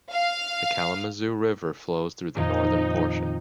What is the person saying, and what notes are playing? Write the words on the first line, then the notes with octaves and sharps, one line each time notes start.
The Kalamazoo River flows through the northern portion.
F5
F2 A#2 D#3 D#4